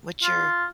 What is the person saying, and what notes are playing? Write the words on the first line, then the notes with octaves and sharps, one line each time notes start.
What's your,
F4